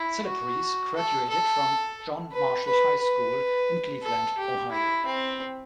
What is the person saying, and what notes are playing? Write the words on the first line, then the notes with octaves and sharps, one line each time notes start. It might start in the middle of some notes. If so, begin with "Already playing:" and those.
Celebrezze graduated from John Marshall High School in Cleveland, Ohio.
Already playing: E4
F#4
A4
A4
B4
B4
B4
A4
G4
E4
C4